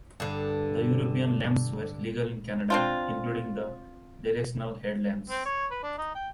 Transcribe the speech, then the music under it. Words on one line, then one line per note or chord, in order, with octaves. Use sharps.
The European lamps were legal in Canada, including the directional headlamps.
G2 D3
C4 D4 F4
C4
C#5
B4
D4
D#4
G5